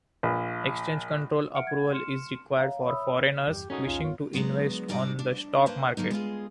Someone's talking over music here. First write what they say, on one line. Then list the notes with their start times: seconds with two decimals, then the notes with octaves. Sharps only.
Exchange Control approval is required for foreigners wishing to invest on the stock market.
0.23 A#1
1.54 E5 F#5 F6 C#7 D7
1.66 F#5 G#6
1.93 C6 F6 C#7 E7
2.58 C#5 F5 A#5
2.84 C#5 E5 B5 D#6 E6
3.47 E2 G2 E3 G4
3.70 C#4 D#4 F#4 G#4 A4
3.86 C2 F2 C#3 F4
4.04 G2 B3 C#5
4.33 D3 F#3 G#3 B3 F#4
4.88 G#2 G3 D4 F#4 D5 D#5
5.19 D4
5.66 A#3 B4 C5 A5
5.97 D3 F#3 A#3 D#4
6.11 G#3 B3 F4 G#4